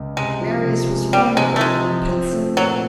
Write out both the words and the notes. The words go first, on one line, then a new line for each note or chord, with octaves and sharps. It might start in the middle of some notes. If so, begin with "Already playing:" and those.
Marius was formidable and pensive.
Already playing: C#2
C3 G#3
F3
C3
G#3
G3 C4
C3 G#3
A3
F3 G#3
F3
C4
A3
A#2 F#3